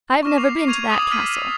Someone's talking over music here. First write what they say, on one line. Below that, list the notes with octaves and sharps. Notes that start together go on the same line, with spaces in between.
"I have never been to that castle."
C#6 D6 F6 A#6 E7
C7 F7
C#6 G#6 D#7 F7
D6 D#6 A6 F#7
E6 F6 B6 D#7